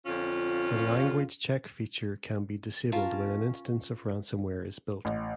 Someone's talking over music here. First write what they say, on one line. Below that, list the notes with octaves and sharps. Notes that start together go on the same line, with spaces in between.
The language check feature can be disabled when an instance of ransomware is built.
F2 D3 C#4 F4
C#4 F4 A#4 A5
A1